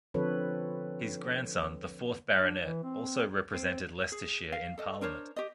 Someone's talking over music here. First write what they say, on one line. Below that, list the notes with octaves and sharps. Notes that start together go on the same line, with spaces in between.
His grandson, the fourth Baronet, also represented Leicestershire in Parliament.
D3 F3 C4 A4 B4 C#5
D4
E3
C4
C4
G#4
F5
A4 D#5
D4 A#4 C5 C#5
G4 D#5